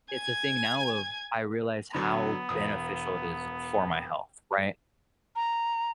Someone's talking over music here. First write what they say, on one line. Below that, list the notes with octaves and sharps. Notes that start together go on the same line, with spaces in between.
it's a thing now of, I realize how beneficial it is for my health, right?
G#5 G#6
D3 F#3 B3
E1 D#6
A#5